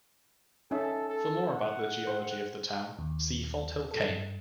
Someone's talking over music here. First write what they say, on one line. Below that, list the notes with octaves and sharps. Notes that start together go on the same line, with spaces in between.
For more about the geology of the town, see Fonthill Kame.
C#4 D#4 A4 E5
A4
F#5
C5
D#2
A4
G2